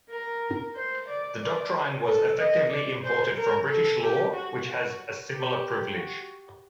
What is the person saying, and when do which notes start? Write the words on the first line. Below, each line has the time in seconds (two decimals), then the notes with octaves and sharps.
The doctrine was effectively imported from British law which has a similar privilege.
0.10 A#4
0.76 C5
1.08 D5
1.41 D5
2.06 A4
2.39 D#5
2.71 D5
3.03 C5
3.37 A#4
3.69 A4
4.02 G4
4.34 F#4
4.66 F#4
5.31 G4
5.97 F#4